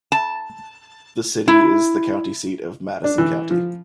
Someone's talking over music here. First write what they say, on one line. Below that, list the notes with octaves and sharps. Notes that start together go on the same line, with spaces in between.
The city is the county seat of Madison County.
A5
E4
D4
E3
F3